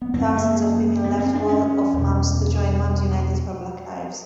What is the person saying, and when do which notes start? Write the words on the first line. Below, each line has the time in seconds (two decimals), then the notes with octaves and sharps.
Thousands of women left Wall of Moms to join Moms United for Black Lives.
0.02 B3
0.13 F#2 C#3 C4
0.36 A#3
1.04 B3
1.19 C4
1.34 D4
1.48 C#4
1.93 E2 B2